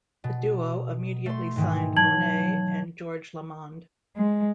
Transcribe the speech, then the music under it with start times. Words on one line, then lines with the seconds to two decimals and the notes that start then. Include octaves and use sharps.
The duo immediately signed Monet and George Lamond.
0.24 B2
1.26 A3 C6
1.56 G#2 D#3 E3
1.97 F#3 A5 G#6 F#7
4.14 G#3